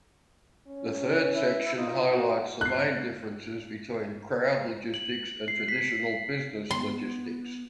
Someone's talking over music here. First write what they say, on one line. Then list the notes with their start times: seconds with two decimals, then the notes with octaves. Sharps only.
The third section highlights the main differences between crowd logistics and traditional business logistics.
0.68 C#4
1.33 E4
1.76 D#4 F4
2.12 F#4
2.61 F#6 C7
4.94 F#7
5.48 C7
5.68 B6
6.71 B3 C6